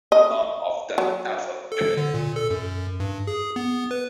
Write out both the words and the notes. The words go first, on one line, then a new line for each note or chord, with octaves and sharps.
None of them ever pay.
D#5
F#3
A4
D3
A#2
A4
F#2
G2
G#4
B3
B4